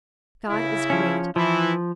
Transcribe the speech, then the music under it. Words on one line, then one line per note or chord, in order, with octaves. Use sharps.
God is great.
C#3 E4
F3 C#4
E3 F3 E4